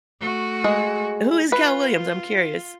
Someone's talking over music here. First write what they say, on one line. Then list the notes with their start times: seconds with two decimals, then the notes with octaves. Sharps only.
who is Cal Williams, I'm curious?
0.20 A3 F#4
0.64 G#3 G#4
1.52 F4 B4